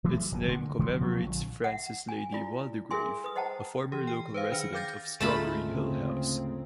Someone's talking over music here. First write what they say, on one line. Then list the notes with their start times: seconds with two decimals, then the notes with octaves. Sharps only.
Its name commemorates Frances Lady Waldegrave, a former local resident of Strawberry Hill House.
0.04 E3 F#3 G#3 A3
0.32 F1 E3 F#3 G3
0.48 D3 G#3 A#3
0.79 D3 E3 F#3
1.01 B2 F3 G#3 C4
1.24 A#1 D3 F3
1.64 E5 F#5
2.09 G#5
2.33 E4 F4 D5
2.91 G#4 A#4 E5 G#5 C6
3.24 B4 D#6
3.36 C5 D#5 F#5 G5 A5 A#5
3.92 E3 G4
4.07 G5
4.34 B4 C5 F5
4.51 D#3 D4 F6 C#7
4.73 F5 G5 D6 G6 A6 A#6
5.20 D2 G#2 A3 C#4 F4 A5 B5
5.66 C#3 C4